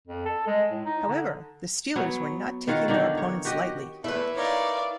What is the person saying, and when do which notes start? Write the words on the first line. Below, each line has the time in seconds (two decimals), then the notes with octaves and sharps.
However, the Steelers were not taking their opponents lightly.
0.07 F2
0.25 A4
0.46 G#3
0.71 A2
0.85 D#4
1.07 D3
1.96 F#3 B3 C#5
2.67 D#3 F4 C#5 F#5
2.88 D3 D#3 D4 D#4
3.17 C#5
3.45 F#4 G4 D#5
4.04 E2 A3 E4 B4
4.36 D#4 A#4 C#5 D5 F5